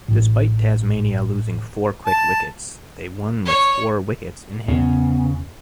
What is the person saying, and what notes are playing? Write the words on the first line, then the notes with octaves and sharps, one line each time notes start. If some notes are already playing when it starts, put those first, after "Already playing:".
Despite Tasmania losing four quick wickets, they won with four wickets in hand.
A1 A2
A5
C#5
E2 C#3 B3